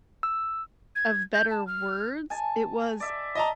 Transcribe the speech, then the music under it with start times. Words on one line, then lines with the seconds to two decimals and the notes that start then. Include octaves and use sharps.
of better words, it was
0.23 E6
0.96 G#6
1.34 G6
1.50 A5
1.67 F6
2.30 G#5 A5
3.00 D5 E5
3.35 D#5 A5 A#5